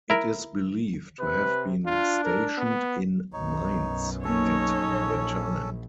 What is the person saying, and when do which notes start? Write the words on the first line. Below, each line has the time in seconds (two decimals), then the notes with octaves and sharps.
It is believed to have been stationed in Mainz at the time.
0.10 E4 A#4
1.20 C3 B4
1.86 D4 F4
2.25 A#4
2.58 B3
3.33 B1 F#2 D#4 C#5
4.24 F#3 A#3 C#4 D#4 A4 C#5
4.83 A#1